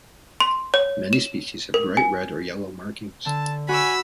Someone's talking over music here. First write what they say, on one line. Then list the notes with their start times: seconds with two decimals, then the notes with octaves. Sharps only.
Many species have bright red or yellow markings.
0.40 C6
0.74 C#5
1.13 E7
1.74 A#4
1.97 G#5
3.26 D3 A5
3.69 F#4 G#5 B5 C#6 D6 E6